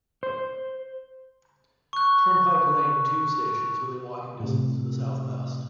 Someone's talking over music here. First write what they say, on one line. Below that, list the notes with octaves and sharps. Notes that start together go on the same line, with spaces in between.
Turnpike Lane tube station is within walking distance to the south west.
C5
C#6 F#6
A2 C3